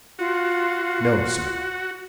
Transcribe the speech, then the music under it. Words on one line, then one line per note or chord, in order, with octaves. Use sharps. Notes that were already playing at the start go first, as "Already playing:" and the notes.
"No, sir."
F4 F#4